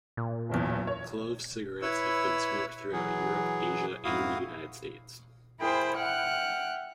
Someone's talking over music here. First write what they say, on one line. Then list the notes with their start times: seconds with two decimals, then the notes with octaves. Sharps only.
Clove cigarettes have been smoked throughout Europe, Asia and the United States.
0.17 A#2
0.49 F#1 B1 E2
0.87 C#5
1.82 E4 B4 C#5 E6
2.92 E3 F#3 G#4
4.04 F2 G#2 E4 F#4 F5 D#6
5.61 E4 G#4 A#4 C5 G5 B5
5.97 E5 F#5 G5 F6 F#6